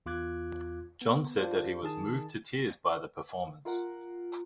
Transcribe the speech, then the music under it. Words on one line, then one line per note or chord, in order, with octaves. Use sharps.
John said that he was "moved to tears" by the performance.
E2 F4 D6 F#6 G#6
B3
D4 F4 G4 C5
D#3 G#4 A5
F4 A#4 F#5